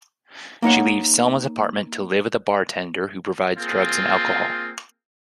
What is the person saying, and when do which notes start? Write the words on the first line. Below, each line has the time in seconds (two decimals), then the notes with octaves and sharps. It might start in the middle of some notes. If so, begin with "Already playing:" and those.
She leaves Selma's apartment to live with a bartender who provides drugs and alcohol.
0.62 A#3 D#4 C#5 F#5
3.58 A#3 C4 F4 G#4